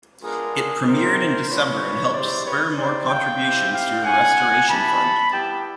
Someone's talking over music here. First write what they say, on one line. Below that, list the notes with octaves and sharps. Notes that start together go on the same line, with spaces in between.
It premiered in December and helped spur more contributions to her restoration fund.
G#3 B3 D4 F4 G#4 A#4
B3 E4 G4 A#4 C5
A3 C4 F4 B4 C#5
G#3 C4 E4 G4 C5 D5
B4 C#5
C4 D#4 G4 C5 D5
F5 G5
C4 E4 G4
F5 G5
A3 C#4 F4 F#5 G#5
B3 E4 G4 A5 B5
G3 B3 E4 G4 G5 A5